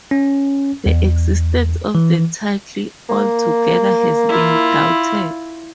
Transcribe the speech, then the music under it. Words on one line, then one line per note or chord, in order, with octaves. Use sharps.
The existence of the title altogether has been doubted.
C#4
E2
E3
A#3
E4 F4